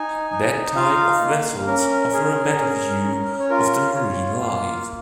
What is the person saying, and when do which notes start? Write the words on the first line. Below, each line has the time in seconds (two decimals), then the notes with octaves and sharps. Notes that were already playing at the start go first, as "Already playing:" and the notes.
That type of vessels offer a better view of the marine life.
Already playing: D#4 G#5
0.31 D#4
0.76 F4 F5
1.21 A#3
1.67 C#4 A#4
2.13 G#4
2.59 C#4
3.04 C#4
3.40 C#5
3.50 F4 A#4
3.95 F4 C#5
4.41 A#3 F5